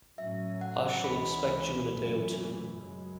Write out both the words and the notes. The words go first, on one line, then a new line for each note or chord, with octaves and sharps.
I shall expect you in a day or two.
A2 F#3 C#4 E5
F#5
C#2 C#3 E3 G#3 C#4 B5
F#2 E3 A3 C#4
F#2 C#3 G#3